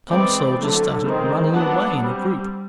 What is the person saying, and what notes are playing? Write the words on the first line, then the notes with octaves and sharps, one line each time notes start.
Some soldiers started running away in a group.
E3 G#3 C4 D5
D3 F#3 A3
D#3 G#3 C4
F#3 B3 D4 F#5
G3 C4